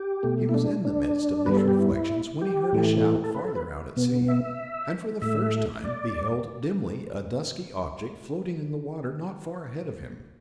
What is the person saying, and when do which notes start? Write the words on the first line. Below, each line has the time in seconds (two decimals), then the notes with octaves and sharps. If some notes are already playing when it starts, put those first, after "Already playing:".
He was in the midst of these reflections when he heard a shout farther out at sea, and for the first time beheld dimly a dusky object floating in the water not far ahead of him.
Already playing: G4
0.23 B2 A3
0.49 E4
0.54 D4
0.85 D4
1.46 G2 G3 B3 B4
1.57 A4
1.68 G4
1.78 E4
2.42 G4
2.72 A2 E3 A3
3.03 A4
3.24 A4
3.35 B4
3.45 A4
3.55 B4
3.96 B2 B3
4.28 E5
5.22 A2 A3 E5
5.84 D5